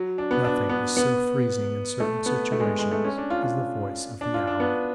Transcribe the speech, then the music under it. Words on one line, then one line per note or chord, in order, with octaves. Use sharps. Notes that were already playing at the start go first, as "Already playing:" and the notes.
Nothing is so freezing in certain situations as the voice of the hour.
Already playing: F#3
D4
B3
D4
B3
B3
A3
B3
A3
G#3
A3
G#3
A3
C#4
D4
F4
F4
D4
F4
D4
B3